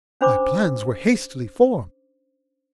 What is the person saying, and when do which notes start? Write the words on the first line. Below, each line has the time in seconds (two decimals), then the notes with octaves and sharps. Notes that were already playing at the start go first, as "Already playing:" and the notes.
My plans were hastily formed.
0.21 C#4 D4 C5 B5 C#6 D6